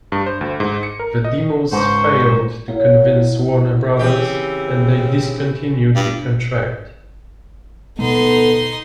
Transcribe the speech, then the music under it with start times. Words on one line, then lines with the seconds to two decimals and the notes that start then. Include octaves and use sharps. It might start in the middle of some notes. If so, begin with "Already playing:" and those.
The demos failed to convince Warner Brothers, and they discontinued the contract.
0.12 G2
0.26 C5
0.41 D2
0.60 G#2
0.83 C#7
0.99 A#4
1.24 D#5
1.72 C#2 G#2 C5 C#6
2.68 F#3 A#3 E4
3.99 C#3 E3 C4 G4
5.95 G2
7.99 D1 B2 A3 B3 D#4 A4 C6